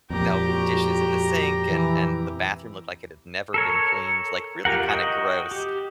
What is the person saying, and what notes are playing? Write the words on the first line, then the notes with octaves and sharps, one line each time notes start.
you know, dishes in the sink and and the bathroom looked like it had never been cleaned, like really kinda gross.
F2 A#2 G4 A#5
F#4
E3
A4 A#4 C#5
F4 G4 A#4 F#5
F#4 D#5 G5
G4